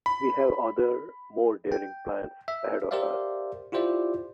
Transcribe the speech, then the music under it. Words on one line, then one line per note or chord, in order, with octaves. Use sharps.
We have other, more daring plans ahead of us.
B5
G5
E5
G4 A#4 C5 D5 E5 F5
E4 F4 G4 C5 D5 E5